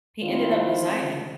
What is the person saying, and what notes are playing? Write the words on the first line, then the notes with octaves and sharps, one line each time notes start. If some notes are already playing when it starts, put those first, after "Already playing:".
he ended up resigning.
D#3 C4 E4 F4